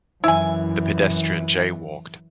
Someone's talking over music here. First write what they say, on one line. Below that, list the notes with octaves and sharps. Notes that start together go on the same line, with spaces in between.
The pedestrian jaywalked.
F#2 E3 E4 G#5